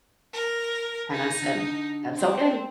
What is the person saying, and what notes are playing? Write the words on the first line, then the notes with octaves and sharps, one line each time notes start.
and I said, "That's okay"
A#4
D#4
D3
C4